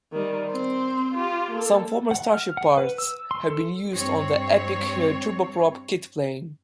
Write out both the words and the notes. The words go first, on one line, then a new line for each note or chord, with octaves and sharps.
Some former Starship parts have been used on the Epic turboprop kitplane.
D#3 G3
C4 C5
F4 G4
A#3 A4
F#5
F6
F#5
B4
E6
C6
A4
G2 C4 C#5